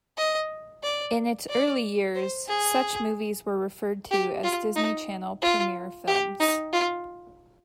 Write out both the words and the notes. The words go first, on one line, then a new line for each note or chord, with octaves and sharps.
In its early years, such movies were referred to as Disney Channel Premiere Films.
D#5
D5
D5
C5
G#4
G4
F4
D#4
F4
G4
D#4
F4